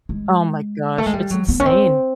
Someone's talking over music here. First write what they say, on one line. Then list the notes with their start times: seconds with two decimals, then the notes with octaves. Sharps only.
Oh my gosh. It's insane.
0.09 G#3
0.98 A3
1.06 G#3
1.13 G3
1.30 F#3
1.49 B3
1.60 C#4
1.66 C4